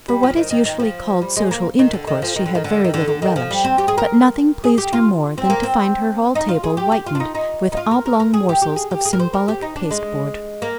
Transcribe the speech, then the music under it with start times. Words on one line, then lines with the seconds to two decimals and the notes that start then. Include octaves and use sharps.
For what is usually called social intercourse she had very little relish; but nothing pleased her more than to find her hall-table whitened with oblong morsels of symbolic pasteboard.
0.08 G3
0.23 F3
0.37 D#3
0.51 D#3
0.65 D#3
0.80 F3
1.22 G3
1.37 G#3
1.51 A#3
1.79 D#3
1.93 D3
2.07 D#3
2.22 F3
2.36 D#3
2.46 D3
2.55 D#3
2.64 D3
2.84 D#3
2.94 D3
3.08 D3
3.22 D#3
3.36 F3
3.51 G3
3.64 C4
3.78 G4
3.88 G#4
3.98 A#4
4.64 G#4
4.78 G4
4.93 F4
5.38 C4
5.50 A#3
5.63 C4
6.35 D#4
6.48 F4
6.64 G#4
6.77 G4
6.92 G4
7.06 F4
7.15 D4
7.20 D#4
7.35 D#4
7.72 D#4
7.77 F4
7.91 A#4
8.06 A#4
8.20 A#4
8.34 G#4
8.49 G4
8.62 G4
8.76 G#4
8.91 G4
9.05 G#4
9.13 A#4
9.19 C5
9.33 A#4
9.48 G4
9.62 D#4
9.76 D4
9.91 G#3
10.62 A#3